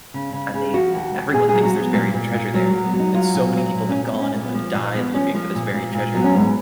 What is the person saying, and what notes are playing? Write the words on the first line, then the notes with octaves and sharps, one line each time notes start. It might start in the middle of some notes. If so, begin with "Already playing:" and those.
and they everyone thinks there's buried treasure there, and so many people have gone and, like, died looking for this buried treasure,
C#3
C#3
C#3
F3 F#4
D#2
D#2
A#2 G#4
F#3 G#4
F#4
F#3 B3
A#2 A#3
A#2
A#2
F#3 A#3
F#3 A#3
B3
F#3
D#4
F#3 F4
A#2
F#3
A#2
A#2 C#4
B3
A#2
C#4
A#2 A#3
B3
F3 A#3
A#2
F3 B3
F3 C#4
F3 A#3
A#2
A#2
A#2
F#3 B3
C#4
G#2 B3